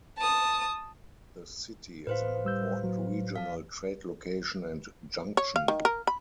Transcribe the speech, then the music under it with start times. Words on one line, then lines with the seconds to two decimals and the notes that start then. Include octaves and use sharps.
The city is an important regional trade location and junction.
0.18 A5 D#6
2.07 A2 B4 C5 F5
2.45 G3 E6 G6
2.84 F#3
3.36 F5 A5
5.37 C#5
5.56 F5
5.68 D#3
5.85 A#4
6.07 B5